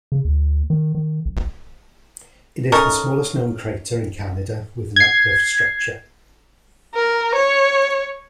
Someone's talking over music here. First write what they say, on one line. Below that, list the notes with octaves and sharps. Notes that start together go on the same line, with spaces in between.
It is the smallest known crater in Canada with an uplift structure.
C#3
D2
D#3
D#3
B1
A3 C#4 D#4 A#4
G#6 C7
A#4
C#5